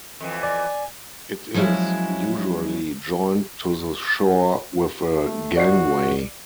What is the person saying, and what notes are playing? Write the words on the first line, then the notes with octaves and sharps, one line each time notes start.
It is usually joined to the shore with a gangway.
F2 E3
D5 G#5
F3 F#3 G#3 C#4 E4
A3
F#4 D5 C7